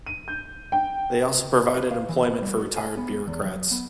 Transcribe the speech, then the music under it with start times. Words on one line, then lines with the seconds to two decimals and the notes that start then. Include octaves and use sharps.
They also provided employment for retired bureaucrats.
0.06 D#7
0.28 G6
0.72 G5
1.77 B4
1.91 F5
2.09 E3
2.23 B3
2.42 G3
2.57 F#4
2.77 G#5
2.97 B3
3.28 E2
3.45 F#3
3.71 B3